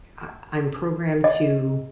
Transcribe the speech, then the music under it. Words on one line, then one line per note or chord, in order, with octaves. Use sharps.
I I'm programmed to
D#5